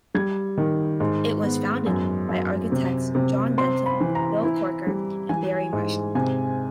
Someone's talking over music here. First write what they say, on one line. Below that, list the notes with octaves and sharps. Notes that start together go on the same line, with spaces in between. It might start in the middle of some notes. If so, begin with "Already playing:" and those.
It was founded by architects John Denton, Bill Corker, and Barrie Marshall.
G3 G#6
D#3
G#2
B3
F#2
F#2
C3
C3
C4 C6
B5
E3
A#5
E4
G3
E3 G#5
G#2
C3 G#5